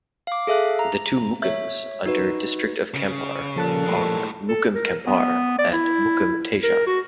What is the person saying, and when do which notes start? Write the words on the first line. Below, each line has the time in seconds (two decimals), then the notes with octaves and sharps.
The two Mukims under District of Kampar are Mukim Kampar and Mukim Teja.
0.27 F5 D6
0.47 G#4 A4 E5 F5 F#6
0.79 A#5
1.42 C#5 E5
2.06 D#4 F#4 B4
2.94 C#3
3.56 A#2 F3 G3 A4 A5 F#6
3.86 A2 G#3
4.48 A4
4.75 A#4
5.07 B3
5.59 D5
5.73 E4
6.63 A#4
6.87 F#4